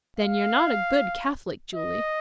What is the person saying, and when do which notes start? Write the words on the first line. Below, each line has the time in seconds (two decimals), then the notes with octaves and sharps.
"Then you're not a good Catholic, Julie?"
0.19 F5
1.75 D#5